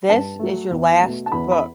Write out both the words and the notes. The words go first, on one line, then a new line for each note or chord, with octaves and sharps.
This is your last book!
G2 A5
F#3 A3
E2
B2 A3
A5
E2 B5
B5